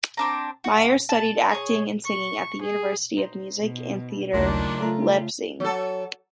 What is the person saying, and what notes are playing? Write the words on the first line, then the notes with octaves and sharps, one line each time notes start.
Meyer studied acting and singing at the University of Music and Theatre Leipzig.
C4 D4 A#5
F#4
A5
G#4 C#5
C#6
G#4
D#4 C5
B2
A#1 D#2 A#2 C#3 F#3 A3 D4 D#4
A3 F4 A4 A#5
F#3 A4